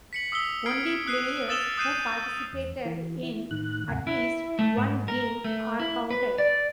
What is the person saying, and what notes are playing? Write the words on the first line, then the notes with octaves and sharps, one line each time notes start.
Only players who participated in at least one game are counted.
B6 C#7 F#7
D#6 E6 B6 G7
F6 G#6 C7 D7
D#6 F#6 C7 D#7
D#6 E6 A6 E7 F7 G7
D#6 F#6 G6 C7 D#7 E7
E2
E3
E4
A2 D#3 F#6
D#2 G#2 C3 F#5 G#5
E4
A3
G#2
A#4
A3
E4
B4
D5